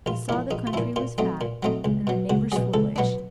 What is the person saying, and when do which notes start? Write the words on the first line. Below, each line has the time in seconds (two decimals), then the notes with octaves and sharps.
He saw the country was fat and the neighbours foolish.
0.06 A#1 F4
0.29 A#2 F3 E4
0.51 A#1 D#4
0.67 F4
0.73 F3 E4
0.77 A#2
0.96 A#2 F4
1.18 F#3 A3 C4 D#4
1.41 A#2
1.63 F#3 A3 C4 D#4
1.84 C#2
2.07 B2 F#3
2.30 C#2 F#4
2.52 B2 F#3 G#4
2.74 C#2 A4
2.96 B2 F#3 B3 D4